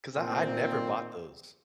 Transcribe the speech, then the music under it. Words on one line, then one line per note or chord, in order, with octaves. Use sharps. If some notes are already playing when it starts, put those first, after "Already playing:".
'Cause I I never bought those.
A#2 D#3 C4